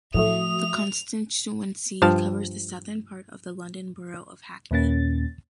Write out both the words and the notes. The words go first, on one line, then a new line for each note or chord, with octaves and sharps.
The constituency covers the southern part of the London Borough of Hackney.
A2 F3 F#3 A3 F#4 E5 D#6 F7
G2 F3 F5 A5
D#2 A#2 A#3 C#4 A6